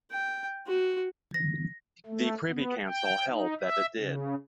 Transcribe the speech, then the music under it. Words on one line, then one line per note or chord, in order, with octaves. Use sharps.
The Privy Council held that it did.
G5
F#4
A#6
A3
B3
G5
D#4
E5
C#3